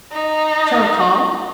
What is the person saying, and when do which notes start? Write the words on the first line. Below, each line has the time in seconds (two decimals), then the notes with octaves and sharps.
"Shall I call?"
0.12 D#4